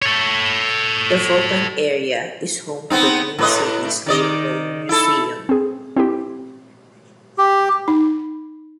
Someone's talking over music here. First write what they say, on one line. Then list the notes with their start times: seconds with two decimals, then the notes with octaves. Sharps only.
The Fulton area is home to the Twin Cities Railroad Museum.
0.02 A4 C#5
2.90 B3 C4 D#4
3.39 A2 B4 D#5
4.06 D#3 D5 D#5
4.89 E4 A4
5.49 C4 G#4
5.96 C4 E4 G4
7.38 G4
7.88 D#4